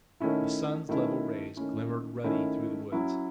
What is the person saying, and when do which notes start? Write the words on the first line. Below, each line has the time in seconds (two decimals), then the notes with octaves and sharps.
The sun's level rays glimmered ruddy through the woods.
0.20 D#3 A3 C#4 E4
0.89 D#3 A3 C#4 E4
1.56 D#3 A3 C#4 E4
2.24 D#3 A3 C#4 E4
2.92 F#3 C#4 E4